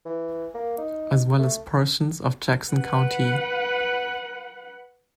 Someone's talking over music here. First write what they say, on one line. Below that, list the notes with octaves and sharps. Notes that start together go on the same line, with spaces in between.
As well as portions of Jackson County.
E3
A#3
D#4
A3
B4 F#5